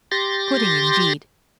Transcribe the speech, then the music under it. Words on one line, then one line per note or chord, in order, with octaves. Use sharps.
Pudding, indeed!
G4 C6 A6 A#6